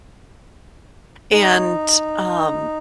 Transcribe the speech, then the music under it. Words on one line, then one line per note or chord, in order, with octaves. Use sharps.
and, um,
D#4